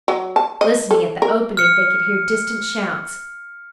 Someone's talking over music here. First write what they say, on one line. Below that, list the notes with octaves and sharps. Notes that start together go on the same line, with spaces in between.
Listening at the opening they could hear distant shouts.
F#3
A5
D#5
A4
A#4
F6 C#7